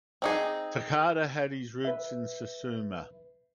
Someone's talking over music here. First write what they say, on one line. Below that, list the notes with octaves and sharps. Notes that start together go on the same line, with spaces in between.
Takada had his roots in Satsuma.
C4 D#4 G#4
B4 E5